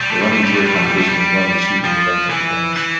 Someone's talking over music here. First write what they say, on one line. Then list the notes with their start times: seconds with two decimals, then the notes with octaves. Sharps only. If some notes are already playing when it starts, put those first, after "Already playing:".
The Running Deer competition was one of the shooting events at the games.
0.01 G3
0.11 A3
0.21 G3
0.33 A3
0.44 G3
0.55 A3
0.66 G3
0.76 A3
0.86 G3
0.98 A3
1.09 G3
1.84 F3
2.30 E3
2.77 E3